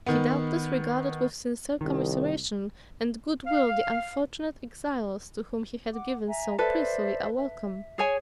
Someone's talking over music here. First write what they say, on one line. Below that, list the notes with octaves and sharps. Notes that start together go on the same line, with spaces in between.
He doubtless regarded with sincere commiseration and good will the unfortunate exiles to whom he had given so princely a welcome.
D#3 B3
C2 D#3
F5
F#5 D6
E5 G#5 A#5
A4 B4 C5 D5 E5
E5
G#4 C#5 G#5